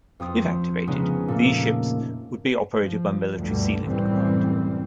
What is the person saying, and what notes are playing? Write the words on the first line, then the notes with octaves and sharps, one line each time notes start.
If activated, these ships would be operated by Military Sealift Command.
F2 C4 D#6
C#3 G#3 B3 C#4 D#4
A#2 A3 A#3
F3
D2 G2 B2 D3
C2 F#2 A2 E3 G3 C4